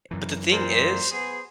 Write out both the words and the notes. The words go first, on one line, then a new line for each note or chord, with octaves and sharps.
Eh, but the thing is,
F#2 E3 A#4
A#2 C5
B3 G#4 C5